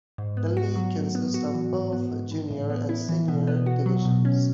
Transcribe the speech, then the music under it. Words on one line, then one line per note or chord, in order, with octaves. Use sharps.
The league consists of both junior and senior divisions.
G#2
B3
F#4
F#3
A2
B3
F#4
E3
G#2
B3
G#2
E3
A2
B3
E4
E3
B2
B3
F#4
F#3
B2
C#4